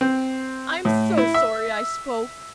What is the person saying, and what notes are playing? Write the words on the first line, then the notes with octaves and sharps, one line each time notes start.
I'm so sorry I spoke.
C4
A2
E4
E5